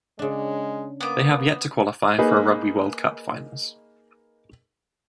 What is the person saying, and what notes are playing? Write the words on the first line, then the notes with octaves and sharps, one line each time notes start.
They have yet to qualify for a Rugby World Cup finals.
C#3 G#3 D4
A#3 B3 D6
A#3 D#4 G#4 B4